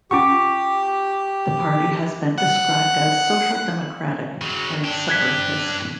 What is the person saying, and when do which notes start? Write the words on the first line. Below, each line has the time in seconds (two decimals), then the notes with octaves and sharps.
The party has been described as social-democratic and separatist.
0.11 C#4 F4 G4 F#5 C#6 D6
2.38 F#5
4.42 C#3 F#3
4.84 D4 G4
5.08 F#6 G#6 B6